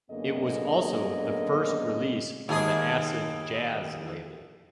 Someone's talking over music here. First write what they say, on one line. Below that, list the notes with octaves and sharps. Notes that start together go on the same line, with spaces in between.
It was also the first release on the Acid Jazz label.
F#2 D3 A#3 B3 G#4 D#5
D#2 G#4